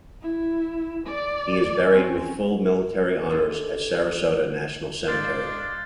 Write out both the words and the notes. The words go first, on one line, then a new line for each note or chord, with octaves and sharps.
He is buried with full military honors at Sarasota National Cemetery.
E4
D5
C4 C#4
D4 E4 G4 A4 C5 D#5
G#2 D4 D#5 F5 C6 F6 G6 A6